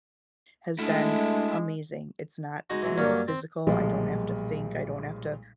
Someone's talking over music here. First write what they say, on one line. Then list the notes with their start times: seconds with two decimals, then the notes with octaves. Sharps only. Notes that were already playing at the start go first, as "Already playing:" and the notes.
has been amazing. It's not, you know, physical, I don't have to think, I don't have to
0.79 G#3 A3 D4 E4 F#4
2.70 G#3 D#4 F#4
2.82 E3 F#3 G#3
2.98 G2 F#3 A#3 C#4
3.28 C4
3.67 B1 A#2 F3 G3 G#3